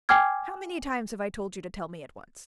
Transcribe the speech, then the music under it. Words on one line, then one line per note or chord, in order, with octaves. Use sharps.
"How many times have I told you to tell me at once?"
G5 G#5 D6 F6 G#6